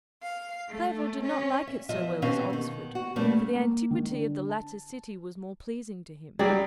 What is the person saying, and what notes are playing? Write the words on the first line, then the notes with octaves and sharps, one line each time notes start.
Clerval did not like it so well as Oxford, for the antiquity of the latter city was more pleasing to him.
F5
A3
C#4
E5
E2 F3 F4 D#5 E5
B2 E3 C4 C#4 G4 F5
B2 D#3
F#4
E2 B2 G3 A3 A#3 C#4
A#3
D#3
D3
A5
F#3 G3 G#4 D5 G5